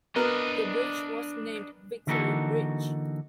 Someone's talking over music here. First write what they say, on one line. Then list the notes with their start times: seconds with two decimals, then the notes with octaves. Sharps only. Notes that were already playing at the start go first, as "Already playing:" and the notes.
The Bridge was named "Victory Bridge".
0.16 B3 D4 A#4 D#5
2.07 D3 E3 A#3 D#4 F#4 A4